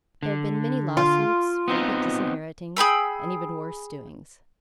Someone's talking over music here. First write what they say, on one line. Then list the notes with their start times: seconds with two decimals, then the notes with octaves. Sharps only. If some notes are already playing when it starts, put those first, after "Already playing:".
There had been many lawsuits, frequent disinheritings, and even worse doings.
0.23 D3
0.97 F4
1.68 B3 C4 D#4
2.77 G#4 G5 B5 E6